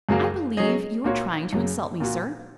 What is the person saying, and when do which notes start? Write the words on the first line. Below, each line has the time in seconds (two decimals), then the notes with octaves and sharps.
"I believe you are trying to insult me, sir."
0.09 F#2 C#3 F#3 A#3
0.57 F#3 C#4 G#4 D#5
1.04 A#2 A#3 F#4 C#5
1.53 F#2 C#3 F#3
2.00 A#2 A#3 F#4